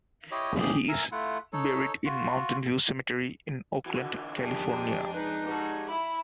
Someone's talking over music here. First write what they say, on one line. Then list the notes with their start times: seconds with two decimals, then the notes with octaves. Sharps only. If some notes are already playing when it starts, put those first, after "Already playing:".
He is buried in Mountain View Cemetery in Oakland, California.
0.31 E4 G4 C#5 D#5
0.59 G4 G#4
0.89 A#4 E5 G#5 A#5
1.12 A3 E4 F4 F#5
1.53 D#4 A4 C#5
2.05 F4 F#4
3.86 D3 E3 F#4
4.36 F2 D4 G4 G#4
4.71 G#2
5.14 G#3 D#4 B4
5.47 F#4 G4 A5
5.89 E4 B5